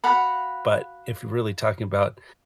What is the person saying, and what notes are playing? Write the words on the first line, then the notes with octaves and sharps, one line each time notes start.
but if you're really talking about
F#4 F5 F#5 B5